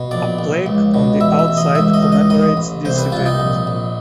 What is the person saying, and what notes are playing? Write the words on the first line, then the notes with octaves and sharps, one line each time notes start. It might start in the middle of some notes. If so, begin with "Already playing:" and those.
A plaque on the outside commemorates this event.
Already playing: B2
A#1 D5
A#1
C#2
B2
A1 E5
E5
A1
D#5
C#2 E5
D#5
C#2
D#5
A1 D#5
A1
C2 C5
B4
C2 F4
D#4
A#1
A#1